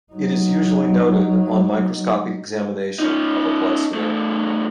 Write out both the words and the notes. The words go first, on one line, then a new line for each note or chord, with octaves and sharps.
It is usually noted on microscopic examination of a blood smear.
F#3 D#4
C#4 D#4
E2 A3